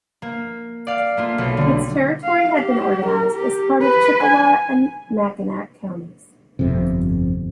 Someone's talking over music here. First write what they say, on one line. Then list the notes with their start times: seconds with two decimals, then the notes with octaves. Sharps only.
Its territory had been organized as part of Chippewa and Mackinac counties.
0.22 A#3
0.87 D5 F5
1.17 A3 A#3 F4
1.38 B1
1.57 D3 G3
2.24 F5
2.55 G4
3.06 A#4
3.35 G4
3.81 B4
4.23 G#5
6.59 G1 F2 C3